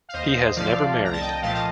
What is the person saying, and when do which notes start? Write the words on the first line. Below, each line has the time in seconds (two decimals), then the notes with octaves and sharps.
He was never married.
0.09 F5
0.13 D#2 C5 D#5
0.56 D3 F3 A3 D5 F5
0.99 C2
1.04 A#5
1.13 A5
1.21 D#5 G5
1.42 A#2 F3 A3 F5 A5
1.54 D#5